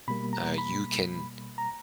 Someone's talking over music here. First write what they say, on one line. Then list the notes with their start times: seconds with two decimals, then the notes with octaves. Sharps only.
uh, you can,
0.08 B2 G3 A#3 B5
0.33 A#5
0.58 B5
1.58 A#5